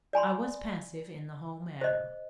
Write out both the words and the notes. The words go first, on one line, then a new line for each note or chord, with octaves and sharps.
I was passive in the whole matter.
D5 G#5 B5 C6
C5 D#5